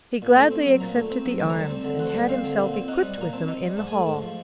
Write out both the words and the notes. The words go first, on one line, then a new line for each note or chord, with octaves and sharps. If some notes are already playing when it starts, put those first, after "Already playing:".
He gladly accepted the arms and had himself equipped with them in the hall.
A#2
A3
C4
F#3
A#2 A#5
A3
C4
F#3
D2 A5
A#5
G3 A5
C4
D3
D2 F#5
G3 A5
G5
C4 F5
D3
A#2
C4
D#4 F#5
G3
A#2 A#5
C4 A5
D#4
G3
G#2 A5
A3 G#5
G#2 A5
F3